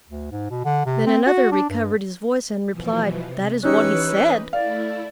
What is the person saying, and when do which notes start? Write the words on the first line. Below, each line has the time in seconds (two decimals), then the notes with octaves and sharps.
Then another recovered his voice, and replied, "That is what he said."
0.08 D2
0.31 G#2
0.50 B2
0.65 D3
0.86 C3
1.06 C4
1.26 F#4
1.52 D4
1.70 G2
2.71 B2 E3 F3
3.20 C3
3.63 E3 C#4 D#4 G4 B4 C#5 E6 F#6
4.53 A3 E4 D5 F5